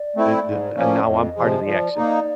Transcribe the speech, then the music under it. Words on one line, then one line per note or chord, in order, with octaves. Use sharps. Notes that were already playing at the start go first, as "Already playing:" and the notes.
Th th And now I'm part of the action.
Already playing: D5
A3 C4 E4
G#2
F3 A#3 C#4
F2 D#5
C3 F3 G#3
D#5
F3 D5
A#3 D#4